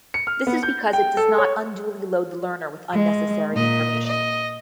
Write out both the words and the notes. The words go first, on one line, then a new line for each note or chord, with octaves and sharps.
This is because it does not unduly load the learner with unnecessary information.
C#7
F6
B3
G6
G5
A4
C#5
G#3
A#2 D#5
D#5